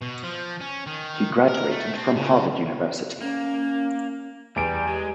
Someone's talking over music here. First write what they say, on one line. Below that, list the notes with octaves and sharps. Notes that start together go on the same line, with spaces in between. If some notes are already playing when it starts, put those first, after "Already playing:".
He graduated from Harvard University.
B2
F3
C#4
D#3
A#4
A3
C4
C#3
A#3 C#4
E2 G3 D7
G#3 G4 G#4